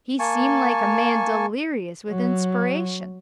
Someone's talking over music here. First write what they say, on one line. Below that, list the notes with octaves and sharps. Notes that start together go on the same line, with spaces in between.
He seemed like a man delirious with inspiration.
A#3 G#5 A5 C#6
F#3